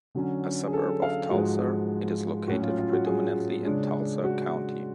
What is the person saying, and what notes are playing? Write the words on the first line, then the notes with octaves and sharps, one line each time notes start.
A suburb of Tulsa, it is located predominantly in Tulsa County.
D3 F#3 C#4
G#4
A4
F5
G#2 F3 G#3 F#4
A2 F#3 C#4 F#4
F4
F4
F#4
G#4
C#3 G#3 D4
F#4